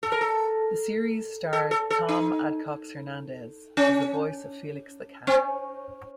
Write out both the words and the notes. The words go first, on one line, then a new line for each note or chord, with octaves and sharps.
The series starred Thom Adcox-Hernandez as the voice of Felix the Cat.
A4
A#4
A4
A4
A4
A4
D#4
C#4
C4